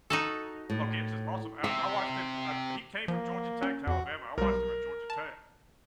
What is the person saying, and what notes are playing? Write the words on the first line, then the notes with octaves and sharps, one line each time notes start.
Oh, Gibbs is awesome. I I watched him I'd he came from Georgia Tech to Alabama. I watched him at Georgia Tech.
D#4 F#4 A4
A2
C3 E5
F3 A#3
C#4
F2 F#4
B1 G3 A#4
A5